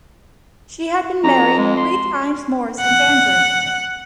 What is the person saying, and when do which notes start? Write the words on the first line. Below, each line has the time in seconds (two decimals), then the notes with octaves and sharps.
She had been married three times more since Andrew.
1.24 F2 A#5
1.58 G#3
1.77 C6
2.81 F#5